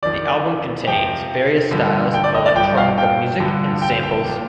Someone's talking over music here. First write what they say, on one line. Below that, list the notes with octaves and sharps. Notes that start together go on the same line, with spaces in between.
The album contains various styles of electronica music and samples.
F2 D#3 D5
F2 C3 F3 G5
G2 D3 F3
G5
D5
D#5
D5
G2 F3 G5
F5
G5
G2 D3 F3
G5
G5
A#2 F3